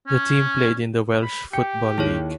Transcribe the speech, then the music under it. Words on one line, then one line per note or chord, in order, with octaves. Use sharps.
The team played in the Welsh Football League.
C#4
B5
G4 G5 C#7
D#2 E4 G#4 C#5